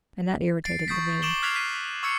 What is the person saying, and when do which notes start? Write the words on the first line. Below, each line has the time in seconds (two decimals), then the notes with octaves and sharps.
And that irritated Levin.
0.64 A6 C7 D7
0.88 C#6 D#6 G6 A6 B6
1.22 C#6 D6 D7 E7 F#7 G7
1.42 F6 F#6 G#6 B6 C7 F7
1.55 F6 F#6 B6 D#7
2.03 C#6 D6 E6 G#6 C7 C#7